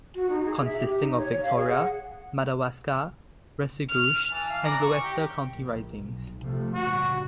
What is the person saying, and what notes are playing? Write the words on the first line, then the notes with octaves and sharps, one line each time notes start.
Consisting of Victoria, Madawaska, Restigouche and Gloucester county ridings.
F#4
D#4
G#4
E5
G4
D#4
C#5
C#5
F5
G#4
F#5
F6
E3 A5
F5
E3 D5 A#5
C#6
G4
A#1
B1
C3 F3 A3
G2 A#2 C#3 F#4